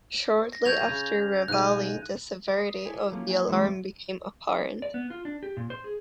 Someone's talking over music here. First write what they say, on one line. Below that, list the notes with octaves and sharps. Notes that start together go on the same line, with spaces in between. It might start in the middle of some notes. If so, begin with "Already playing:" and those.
Shortly after reveille, the severity of the alarm became apparent.
A#6
F#3 A3 G6 G#6 F7
C#3
B1 G#2 G#4 F#6 D#7
B5 D#6 B6 C7
E4 A4 G#5 D6 D#7
F3 F#3 A#3 C#4
F#5 G#5
G#2 E3 G#3 C4 E5 C#6
D5
B3
F4
D4
G4
A#2
C5
G#4